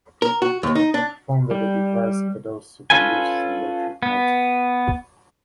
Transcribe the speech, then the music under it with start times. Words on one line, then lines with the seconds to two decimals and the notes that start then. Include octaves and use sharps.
He found that the device could also be used as an electric motor.
0.22 A#4
0.42 F#4
0.63 D#2
0.75 D#4
0.94 D4
1.51 G3
2.90 C#4 F4 A4 B4 G#5
4.03 B3